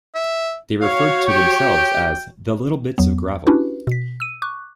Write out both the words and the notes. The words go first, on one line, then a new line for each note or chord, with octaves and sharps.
They referred to themselves as "The Little Bits of Gravel".
E5
F#4 C#5 F5
G4 G5
E2 F#3 B3
C#4 D4 E4 F#4 G4 B4
B2 B6
E6 D#7
C#6 D6 F#6